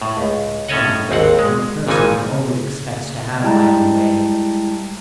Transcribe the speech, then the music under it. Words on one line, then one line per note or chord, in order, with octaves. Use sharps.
Mind, I'm a person who always expects to have my own way.
A2
C#2
A2 C#4 A4 C#5 D#5 F#5
G#1 D#2 C4 F#5
G#3
G#1 A#2 E3 F3 D#4 G#5
C#3
G3 G#3 E4 G5 A5 A#5